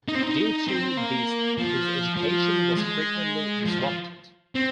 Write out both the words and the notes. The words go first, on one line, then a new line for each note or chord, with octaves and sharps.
Due to this his education was frequently disrupted.
D#4
C4
D#4
C4
A#3
F3
F3
G#3
F3
F3
C4